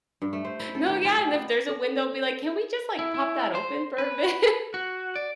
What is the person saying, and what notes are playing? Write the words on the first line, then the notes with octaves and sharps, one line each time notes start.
No, yeah, and, if there's a window, be like, "Can we just, like, pop that open for a bit?"
G2
A3
C5
E4
A4
D#3
F4
G4
B3
A4
E4
E4
C5
B4
F#4
D5